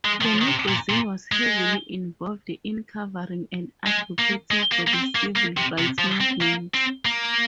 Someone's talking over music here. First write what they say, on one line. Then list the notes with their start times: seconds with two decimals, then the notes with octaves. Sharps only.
The magazine was heavily involved in covering and advocating for the civil rights movement.
0.05 G#3
0.21 D#3
0.26 F3
0.42 D#3
0.47 C3
0.68 A#2
0.90 A#2
1.32 G#3
3.86 G#3
4.19 A#3
4.51 G#3
4.72 A#3
4.87 A#3
4.93 C4
5.15 A#3
5.36 A#3
5.57 C3
5.78 C3
5.99 F3
6.21 C4
6.41 A#3
6.74 C4
7.05 A#3